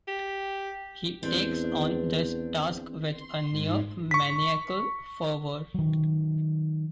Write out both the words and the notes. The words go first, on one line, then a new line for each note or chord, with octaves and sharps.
He takes on this task with a near-maniacal fervor.
G4
E2 C4 D4
C6
G#2
C#6 B6
D#3 F#3